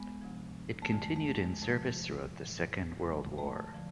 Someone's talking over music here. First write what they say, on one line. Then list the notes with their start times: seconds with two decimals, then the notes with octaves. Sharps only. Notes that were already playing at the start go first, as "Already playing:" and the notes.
It continued in service throughout the Second World War.
Already playing: G#3 B3
0.21 D2 C3 F3
0.82 A3
0.92 F2 D3 F3 G#3
1.08 G#3
1.16 A3
1.39 G#3
1.62 E2 C3 F3 A3
2.32 A2 E3
3.03 E2 D3 F3 G#3
3.38 A3
3.73 D3 F3